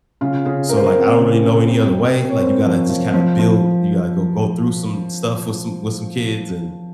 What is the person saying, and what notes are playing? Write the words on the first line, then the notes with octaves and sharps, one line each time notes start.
so like, I don't really know any other way, like you gotta, just kind of build you gotta go go through some stuff, with some with some kids and
C#3 F4
C#3 G#4
C#3 A#4
C5
A#4
C4
C#3
C#3
C4
C4
C4
C#5
C4 C5
F3
F3
F3
F3